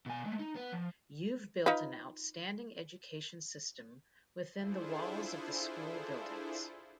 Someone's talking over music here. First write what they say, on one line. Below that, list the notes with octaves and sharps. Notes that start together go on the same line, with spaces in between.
You've built an outstanding education system within the walls of the school buildings.
B2 G#5
G#3 A3
D#4
B3
F3
D#4 F4 B4
D4 E4 F4 G#4 A4 C5